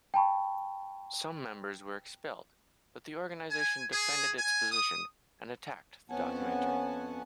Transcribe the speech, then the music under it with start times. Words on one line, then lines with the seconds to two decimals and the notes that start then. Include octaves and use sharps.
Some members were expelled, but the organisation defended its position and attacked the documentary.
0.14 G5 A5 B5 C#6
3.49 G#5
3.92 G#4
4.38 G#5
4.72 D#6
6.10 F2 B3 C#4 F#5 G#5 A5